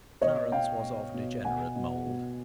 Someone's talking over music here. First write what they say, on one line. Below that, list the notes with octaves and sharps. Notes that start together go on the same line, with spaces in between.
Clarence was of degenerate mould.
B2 C#5 D#5
B2 F5 G5
B2
B2
B2 F#5 G#5
B2
B2